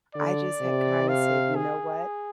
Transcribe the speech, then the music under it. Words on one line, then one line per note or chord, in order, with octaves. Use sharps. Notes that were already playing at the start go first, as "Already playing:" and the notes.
I just had kinda said, "You know what"
D3 D5
C3
F5
G#4